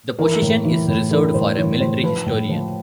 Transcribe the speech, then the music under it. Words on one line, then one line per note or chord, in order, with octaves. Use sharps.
The position is reserved for a military historian.
E3 A#4
A2
E3
A2
E3 A#4
A2 C5
E3 C#5
A2 C5
F3 B4
A2
F3